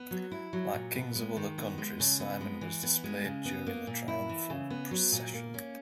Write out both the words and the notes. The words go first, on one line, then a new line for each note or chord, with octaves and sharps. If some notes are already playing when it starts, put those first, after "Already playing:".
Like kings of other countries Simon was displayed during the triumphal procession.
Already playing: B3
F#3
E4
F#3
A#2
B3
G#3
D#3
B3
G#3
C#3
B3
G#3
E3
B3
G#3
C#3
B3
A#3
A#2
E4
E3
C#3
B3
F#3
A#2
A#3
C#4